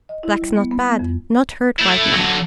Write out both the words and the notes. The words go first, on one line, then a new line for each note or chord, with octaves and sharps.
Blacks not bad, not hurt white man.
D#5
E4
G3
B3
B3
F2
A3 E4
D3 F#3